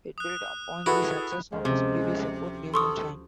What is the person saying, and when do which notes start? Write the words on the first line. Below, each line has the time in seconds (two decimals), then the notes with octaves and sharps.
It built upon the success of his previous effort, "New Moon Shine".
0.18 D#6 F#6
0.86 E4 F#4 G#4 A4 B4
1.52 D2 F3 G#3 C#4
1.65 C3
2.74 A4 C6 C#6 D#6